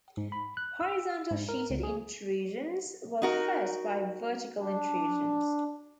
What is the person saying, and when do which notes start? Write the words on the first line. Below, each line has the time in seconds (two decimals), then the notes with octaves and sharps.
Horizontal sheeted intrusions were fed by vertical intrusions.
0.17 G#2
0.32 B5
0.57 F#6
0.81 E6
1.31 G#2
1.49 A#4
1.70 C#2
1.83 G#4
3.22 D#4 F#4 A#4
4.60 D4